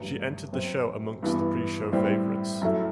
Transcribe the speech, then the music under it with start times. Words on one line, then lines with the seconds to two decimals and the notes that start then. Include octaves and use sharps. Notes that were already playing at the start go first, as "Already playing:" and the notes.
She entered the show amongst the pre show favourites.
Already playing: A1 G2 F#3
0.52 F#2 F#3 C4
1.23 G2 E3 B3
1.92 A2 G3 C4
2.61 F#2 F#3 A3 E4